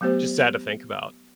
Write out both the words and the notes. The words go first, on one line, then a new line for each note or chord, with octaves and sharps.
just sad to think about.
F#3 A3 B3 G4 C5